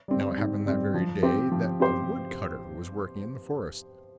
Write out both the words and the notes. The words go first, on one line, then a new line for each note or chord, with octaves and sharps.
Now it happened that very day that a woodcutter was working in the forest.
G3 C4
G#2
G3 C4
F3
C4 G4 C5
F3
C4 G4 C5